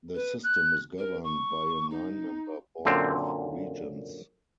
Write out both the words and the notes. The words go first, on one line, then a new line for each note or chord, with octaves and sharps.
The System is governed by a nine-member Board of Regents.
B4
F#6
A#4
C#6
D#4
F#2 A#2 D3 C4